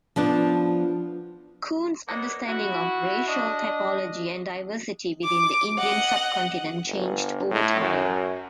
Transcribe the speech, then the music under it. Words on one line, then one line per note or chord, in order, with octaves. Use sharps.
Coon's understanding of racial typology and diversity within the Indian sub-continent changed over time.
F3 B3 D4
A#3 B3 D4 C#5 D#5
E4 F#4
D4 D#5
D6
D#5 F#5
G1
A2
F#2